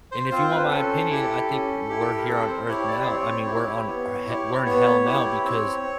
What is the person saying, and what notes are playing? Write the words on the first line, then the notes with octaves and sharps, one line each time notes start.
And if you want my opinion, I think we're here on earth now. I mean, we're on he we're in hell now because
C5
C4 F4 C5
B4
C#4 A4
E4 G4
C#4
E4 G4
A#4
C4 A4
C5
E4 G4 C#5
D5
C5
C4 C#5
E4 G4
B3
E4 G4
B3 C#5
E4 G4
C4